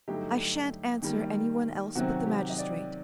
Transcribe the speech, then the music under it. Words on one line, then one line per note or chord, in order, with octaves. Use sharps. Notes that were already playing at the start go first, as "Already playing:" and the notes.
I shan't answer any one else but the magistrate.
G2 D3 F#3 A3 D#4 G4
D#3 G3 A#3
C3 D#3 F#3 C4 F#4
G4
D#5
D5